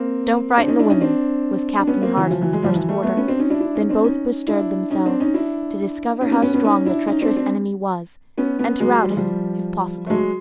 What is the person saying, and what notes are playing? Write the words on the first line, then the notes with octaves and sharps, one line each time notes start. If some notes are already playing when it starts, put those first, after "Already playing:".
'Don't frighten the women,' was Captain Hardy's first order; then both be stirred themselves to discover how strong the treacherous enemy was, and to rout it if possible.
Already playing: A#3 C4
C4 D4
C#4 D#4
D4 E4
C#4 D#4
C4 D4
D4
B3 C#4
A#3 C4
E3 F#3
F3
E3 F#3
F#3 G#3
F3 G3
E3 F#3
G3 A3
A3 B3
B3 C#4
C4 D4
C#4 D#4
D4 E4
D4 E4
C#4 D#4
C4 D4
C#4 D#4
D4 E4
C#4 D#4
C4 D4
C#4 D#4
D4 E4
C#4 D#4
B3 C#4
B3 C#4
B3 C#4
C#4 D#4
D4 E4
C#4 D#4
C4 D4
C4 D4
B3 C#4
B3 C#4
F#3 G#3
G3
G#3
F3 G3
A3
F#3 G#3